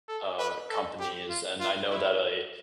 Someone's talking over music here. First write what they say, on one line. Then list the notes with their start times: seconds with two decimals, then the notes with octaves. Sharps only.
uh, companies and I know that a,
0.09 A4
0.39 B4
0.70 A4
1.00 G4
1.30 F4
1.60 F4
1.90 E4